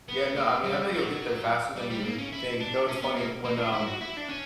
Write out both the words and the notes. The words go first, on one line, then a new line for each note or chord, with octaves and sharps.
Yeah, no, I mean, I bet you'll get there faster than you think, you know, it's funny, when, um,
B3
A#3
G3
F#3
G3
G3
A#3
C#4
E4
D4
C#4
B3
A#3
A#3
D4
E4
F#4
E4
D4
C#4